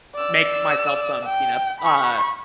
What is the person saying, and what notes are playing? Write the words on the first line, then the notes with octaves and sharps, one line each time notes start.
make myself some peanut, uh
D5 E6
G5
B5 C#6